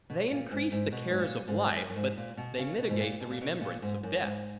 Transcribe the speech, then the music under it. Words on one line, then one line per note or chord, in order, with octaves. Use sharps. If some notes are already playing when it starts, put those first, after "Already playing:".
They increase the cares of life; but they mitigate the remembrance of death.
B2
A#2
G#2
G#2
B2
G#2
A#2
G#2
F#2
F#2
G#2
A#2
B2
C#3
B2
G#2
A#2
B2
A#2
B2
A#2
G#2
F#2
G#2